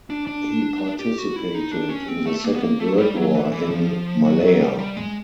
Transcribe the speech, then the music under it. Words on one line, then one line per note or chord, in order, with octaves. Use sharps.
He participated in the Second World War in Malaya.
D4
D4
G4
F#4
E4
D#4
D4
C#4
C4
A3
A#3
B3
A#3
A3
F#3
G3
F#3
E3
E3
F3
F#3
F#3
G3
G3
G#3